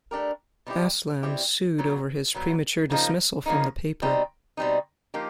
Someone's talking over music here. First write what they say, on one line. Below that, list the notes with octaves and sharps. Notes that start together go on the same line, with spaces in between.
Aslam sued over his premature dismissal from the paper.
A3 D4 G4 A#4
B2 G3 C4 E4 G4
B2 G3 C4 E4 G4
A#2 F#3 B3
A#2 F#3 B3
C#3 F3 A#3 D#4
C#3 F3 A#3 D#4
B2 G3 C4 D#4
B2 G3 C4 D#4
F3 A#3 D#4 G4